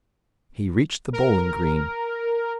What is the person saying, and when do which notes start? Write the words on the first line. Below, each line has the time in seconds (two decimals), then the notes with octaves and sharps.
He reached the bowling-green.
1.13 A#4